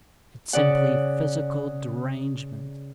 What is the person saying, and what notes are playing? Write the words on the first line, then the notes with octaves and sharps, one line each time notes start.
It's simply physical derangement.
C#3 D5 F#5